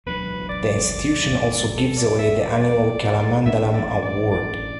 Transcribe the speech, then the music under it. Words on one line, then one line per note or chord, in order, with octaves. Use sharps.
The institution also gives away the annual Kalamandalam award.
E1 D2 D3 F#3 B4
D5
D5
A4
D5
E5
D5
D5
A1 A2 A3 D4 E5
D5
D5
D5